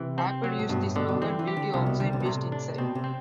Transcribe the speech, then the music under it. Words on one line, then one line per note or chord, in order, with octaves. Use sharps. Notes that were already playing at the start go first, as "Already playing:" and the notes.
Apple used the slogan Beauty outside, Beast inside.
Already playing: C3 E3
C4
F#3
A2
G2 B2
A2
B2 D3
B2
E3 C4
E3
G4
D3
C2 C3
B2
D3 G3
C3
B2
A2 C3
D4
B2 C4
C3
C4